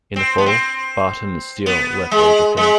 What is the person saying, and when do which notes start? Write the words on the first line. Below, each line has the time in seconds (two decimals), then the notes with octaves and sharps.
In the fall, Barton and Steele left All Japan.
0.16 C4
0.38 B3
0.46 C4
1.66 B3
2.11 G#3
2.57 G#3